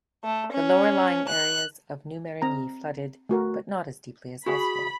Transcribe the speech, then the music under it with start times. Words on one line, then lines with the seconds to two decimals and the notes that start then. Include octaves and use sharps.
The lower-lying areas of New Marigny flooded, but not as deeply as elsewhere.
0.24 A3
0.52 C#4
1.29 F#6
2.42 C4 A#5
3.29 A3 F#4 A#4
4.46 F#4 G#4 B5